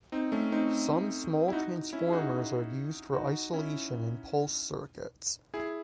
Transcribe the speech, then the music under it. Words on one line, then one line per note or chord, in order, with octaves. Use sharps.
Some small transformers are used for isolation in pulse circuits.
C4 D#4
A3 C#4
C4 D#4
E4
D#4 F#4
C#4 E4
G#4
D#4 F#4
D#4 F#4
C#4 E4
E4 G#4